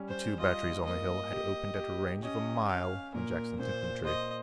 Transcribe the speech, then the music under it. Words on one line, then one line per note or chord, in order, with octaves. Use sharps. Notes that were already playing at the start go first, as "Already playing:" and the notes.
The two batteries on the hill had opened at a range of a mile on Jackson's infantry.
Already playing: G3 C#4
C5
F4 D#5
A#3 D#5
G4
G4
C#4 D#5
C#4 F5
A#2 A#4
A#2 C5
C5 D#5